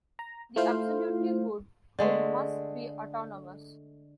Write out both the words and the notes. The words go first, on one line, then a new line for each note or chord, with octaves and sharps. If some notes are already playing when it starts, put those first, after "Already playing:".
The absolutely good will must be autonomous.
A#5
A3 E4 F4 C5 F5
D3 G#3 A3